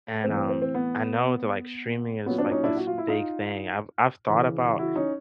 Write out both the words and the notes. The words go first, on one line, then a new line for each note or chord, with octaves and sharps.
and, um, I know that, like, streaming is, like, this big thing. I've I've thought about
A2 E3 C4
C4
C4
C4
B3
A#2 F#3 B3 C#4
C4 D4
C#4 D#4
D4 E4
F#4
F4
E4
D#4 F4
C#3 E3
E4 F#4
C#4 D#4